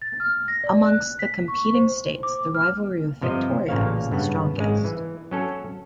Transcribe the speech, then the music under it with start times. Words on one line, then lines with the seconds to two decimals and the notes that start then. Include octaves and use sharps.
Amongst the competing states, the rivalry with Victoria was the strongest.
0.02 A6
0.20 F6
0.48 A#6
0.64 D5
0.86 F#6
1.19 B6
1.48 C#6
1.74 C5
2.23 D6
2.55 F6
3.21 G1 C3 F3 D#5
3.69 A1 A#2 C#3 A#3 C#5 F5
4.11 G2 C#3 B3
4.56 G#1 C#3 G#3
4.85 E3
5.31 F#3 C#4 A4